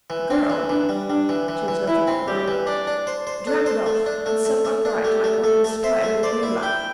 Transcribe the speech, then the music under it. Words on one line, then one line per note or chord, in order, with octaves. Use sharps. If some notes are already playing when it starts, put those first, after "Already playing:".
The girl--she was nothing but a girl--drank it off and sat upright like one inspired with new life.
E3
C4 D4
E3
E3 D4
G3
G3 D4
E3
E3
E3
E3 E4
C4
G3 G4
E3
D4 D5
D4
C5
C5
D4 A4
C5
A3
D4
A3
A3
A3
D4
A3 G4
A3
A3 A4
A3
C5 E5
A3
C5 D5
E4
E4 G5